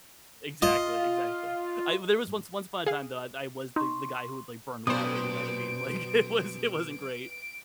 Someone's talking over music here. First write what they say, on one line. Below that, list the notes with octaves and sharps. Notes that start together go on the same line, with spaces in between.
exactly, exactly. I there was once once upon a time that I I was the the guy who would, like, burn water, you know what I mean, like it was it wasn't great.
F4 D#5
G#4 F5
D#4 C6 C#6
F#2 B2 B4 C5 D5 D#6 D7